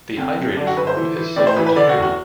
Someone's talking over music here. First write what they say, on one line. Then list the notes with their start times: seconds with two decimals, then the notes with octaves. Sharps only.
The hydrated form is safer to handle.
0.17 D3 C4
0.37 F#2
0.57 D3 D4
0.67 F#4
0.77 D3 B4
0.87 C5
0.97 E3
1.16 E3
1.36 A2 D5
1.47 C5
1.56 E3 B4
1.66 B4
1.76 D3 D5
1.89 F#4
1.96 E2
2.02 F#4